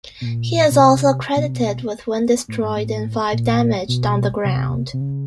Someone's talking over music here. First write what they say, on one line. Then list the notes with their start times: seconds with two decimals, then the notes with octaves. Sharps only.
He is also credited with one destroyed and five damaged on the ground.
0.21 B2
0.25 A#2
0.71 B2
0.81 C3
1.36 B2
1.45 C3
1.54 B2
2.48 A2
2.62 G#2
2.76 A2
3.32 A#2
3.88 B2
4.44 C3
4.93 C3
5.01 C#3